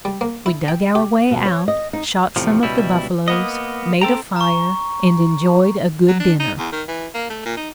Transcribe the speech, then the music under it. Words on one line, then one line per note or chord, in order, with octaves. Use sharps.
We dug our way out, shot some of the buffaloes, made a fire and enjoyed a good dinner.
G3
A#3
E4
G5
G4
B2
C#5
D#5
D#4
E2 A2 C3 F3
C#2 B2 G3 E4
A#3 B3 D#5
C4 A4 G5 A#5
A#5 C#6
F#3
D4
D#4
E2
D#3
E3
A#3
A3
A#2
D#4